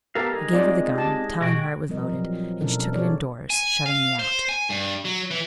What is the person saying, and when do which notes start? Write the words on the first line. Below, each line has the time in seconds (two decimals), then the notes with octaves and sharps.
I gave her the gun, telling her it was loaded, and she took it indoors, shutting me out.
0.15 B3 G4 A4 A#4 F5
0.33 G#3 D#4
0.53 C4 F4 D5
0.95 G4 A5
1.41 B2 G#3 F#4 G5
1.88 A#2 F3 G3 C4 A#4 D#5
2.09 F3 F#3
2.61 B2 C#4 D4 E4 A4 A#4
2.93 D4 F#4 G#4 A4 C#5 D5
3.50 G#5
3.86 F5
4.19 C5
4.49 G#5
4.70 G2
5.05 F#3
5.31 E3